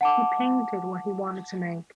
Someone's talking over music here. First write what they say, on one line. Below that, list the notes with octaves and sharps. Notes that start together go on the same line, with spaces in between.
He painted what he wanted to make.
F#5 A5 D6